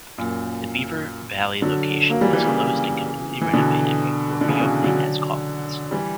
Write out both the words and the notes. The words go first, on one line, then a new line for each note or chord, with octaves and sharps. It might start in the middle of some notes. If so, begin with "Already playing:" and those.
The Beaver Valley location was closed and completely renovated before reopening as Kaufmann's.
F#2 A#2
D3 F#3
F#3 A#3
E3 G3
E3 G3
C#3 E3
E3
B2 D3
D3
C#3 E3
B2 D3
D3 F#3
E3 G3